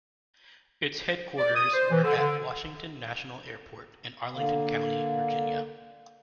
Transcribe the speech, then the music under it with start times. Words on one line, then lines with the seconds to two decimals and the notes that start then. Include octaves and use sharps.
Its headquarters were at Washington National Airport in Arlington County, Virginia.
1.37 D5
1.55 D#6
1.73 C5
1.91 E3
2.04 D3
2.17 D3
4.34 D3 A#3